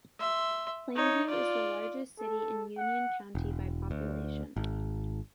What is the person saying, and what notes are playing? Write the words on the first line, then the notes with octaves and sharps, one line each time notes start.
Plainview is the largest city in Union County by population.
E5 C6
D#4 C#5
F4 D5
A4
F#5
E1
D2
G#1